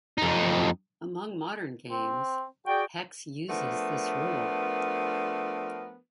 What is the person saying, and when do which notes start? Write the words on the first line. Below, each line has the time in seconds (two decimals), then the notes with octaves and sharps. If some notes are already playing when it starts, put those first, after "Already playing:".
Among modern games, Hex uses this rule.
0.18 F2 D#4
1.91 C4
2.66 F#4 G#4 D5 G5
3.49 F3 A3 B3 D4 A#4